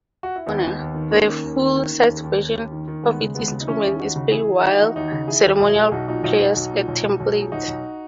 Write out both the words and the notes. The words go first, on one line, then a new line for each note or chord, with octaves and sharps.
The full sized version of this instrument is played while ceremonial prayers at temples.
F#4
E4
D#2 B3 D#4
D#2
D#2
D#3
D#3 A#3 C#4
D#3
D#2
D#3
D#3
D#3
D#2
D#2
D#2
D#2
D#3
D#3
D#2 G#3 B3
C#3 G#3
D#2 G#3 B3
C#3
D#4
E3 C#4 E4
D#2 G#4
D#2 D#4 F#4
C#3
E3 E4 G#4
E3
E3 D#4 F#4
E3
D#2 D#4 F#4
C#3
E3 E4 G#4
D#2
B1 E4 G#4
B1 E4 G#4
B1 D#4 F#4
A#2 D#4 F#4
B1 D#4 F#4
B1
B1
A#2
B1
B1
B1
A#2
G#4
B1 D#4 F#4
B1